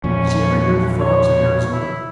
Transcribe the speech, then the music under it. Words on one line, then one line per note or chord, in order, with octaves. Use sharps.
"Did you ever hear the frogs in Arizona?"
E2 A#2 F3 C#4
C#5
E4